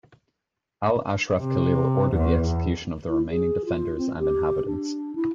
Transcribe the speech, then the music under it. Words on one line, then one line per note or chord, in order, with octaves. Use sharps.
Al-Ashraf Khalil ordered the execution of the remaining defenders and inhabitants.
C3
E2
E4
G#4
F4
C4
G4
D4
E4